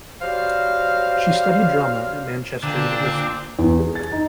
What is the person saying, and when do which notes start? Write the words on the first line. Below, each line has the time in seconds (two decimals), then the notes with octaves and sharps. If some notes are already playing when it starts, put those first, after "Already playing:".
She studied Drama at Manchester University.
0.21 F#3 G3 C5 F5
2.63 A#2 D3 C4 D4
3.59 E2
3.80 G#4
3.95 A6
4.12 D#4